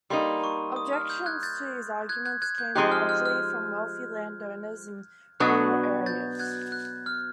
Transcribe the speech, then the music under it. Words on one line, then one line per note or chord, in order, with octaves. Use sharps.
Objections to these arguments came largely from wealthy land owners in rural areas.
G3 A#3 D#4 C6
C#6
D#6
F6
G6
F#6 G#6
G6 A6
F#6 G#6
F#6 G#6
F#6 G#6
G6
F3 G#3 C4 D#4 G4 F#6
F6
F6
F6
B2 F#3 B3 D4 F#4 F#6 G#6
G6 A6
F#6 G#6
F#6
F6